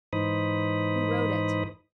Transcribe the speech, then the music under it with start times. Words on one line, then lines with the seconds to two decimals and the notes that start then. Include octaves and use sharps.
"Who wrote it?"
0.13 G#2 E3 D#4 C5 B5 D#6